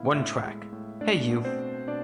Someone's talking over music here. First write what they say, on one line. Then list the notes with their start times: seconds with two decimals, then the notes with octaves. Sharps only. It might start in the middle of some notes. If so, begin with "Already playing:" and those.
One track, Hey You!!!
Already playing: A2 G#3 B3 E4 E5 F5
0.15 A2 E4 E5
0.43 G#3
0.73 A2
1.01 A3 D4 D5
1.30 B2
1.44 C4 C5
1.59 C4
1.88 B2 D4 D5